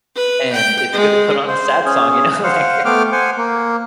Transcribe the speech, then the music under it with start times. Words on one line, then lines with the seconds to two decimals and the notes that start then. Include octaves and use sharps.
And it's good to put on a sad song, you know? Like
0.16 B4
0.53 G5
0.93 G#3
1.48 C5
1.86 C#4 G#4
2.44 C5 F5 F#5
2.85 A3 B3 G5 D6 F6
3.12 C5 F#5 G#5
3.37 A#3